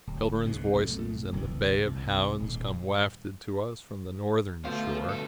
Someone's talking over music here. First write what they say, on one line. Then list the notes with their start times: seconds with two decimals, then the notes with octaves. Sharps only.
Children's voices, and the bay of hounds, come wafted to us from the northern shore.
0.07 D1
0.45 C2 F2 G#2 B2
0.75 B1 F2 A2 A3
1.32 D1 C2 B2 E3
1.87 C2
2.39 D#1 G#2
4.65 D2 B2 F4 C5 F5
5.09 G2 A4